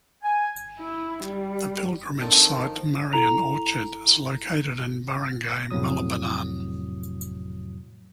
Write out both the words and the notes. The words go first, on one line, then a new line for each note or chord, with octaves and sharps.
The pilgrimage site "Marian Orchard" is located in Barangay Malabanan.
G#5
E4
G3
D#3 F3 C4 D4 A4
E4 A4 A#5 F7
F2 A2 C3 F#3 D#6